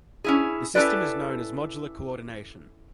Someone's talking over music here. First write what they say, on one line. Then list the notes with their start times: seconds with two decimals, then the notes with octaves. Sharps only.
This system is known as "modular coordination".
0.24 C#4 E4 G#4
0.75 C#4 E4 G4 A4 B4 D5